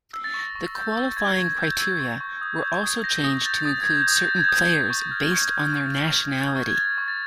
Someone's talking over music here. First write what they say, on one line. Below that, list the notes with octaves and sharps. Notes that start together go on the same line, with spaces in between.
The qualifying criteria were also changed to include certain players based on their nationality.
E6
A6
C#6
A#6
C#6
G6
E6
C#6 G#6
C#6 G#6
G6
E6 G#6
C#6
C#6
D#6
G6
D#6
G6 A#6
D#6 A#6
G6 A6
D#6 A6
G6 G#6
G6
D#6
G6
G6 A6
G#6
G6
D#6 G#6
G6
C#6
F6
C#6
F6
C#6
F6
C#6
F6
C#6
G#6
F6 A6
C#6
A6